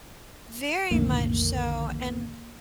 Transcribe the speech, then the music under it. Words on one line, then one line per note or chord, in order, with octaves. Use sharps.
Very much so, and
B1 F2 A2 D3 D#3 A#3